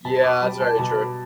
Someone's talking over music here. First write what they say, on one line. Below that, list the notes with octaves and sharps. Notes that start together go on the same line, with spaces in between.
Yeah, that's very true.
B2 A5
D6
G3 B5
A5
B2 A5